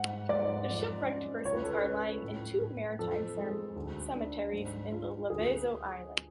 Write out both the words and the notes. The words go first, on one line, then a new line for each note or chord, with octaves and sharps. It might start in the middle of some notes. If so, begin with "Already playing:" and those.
The shipwrecked persons are lying in two maritime cemeteries in the Lavezzo island.
Already playing: G#2 F#5
G#2 D5
F2
C#4
C#2 C#5
B4
A4
B4
C#4
A2
A2
F2 A4
G#3
D2
D4
G#2
F4
D2 G#4